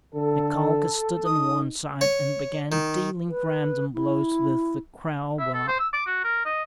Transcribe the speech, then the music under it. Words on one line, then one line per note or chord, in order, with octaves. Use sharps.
Mikolka stood on one side and began dealing random blows with the crowbar.
D3 A4
D#4 D#6
C#5
D#3
B4
E4
E5
A4
C5
E6
D6
F#4
A#4
D#5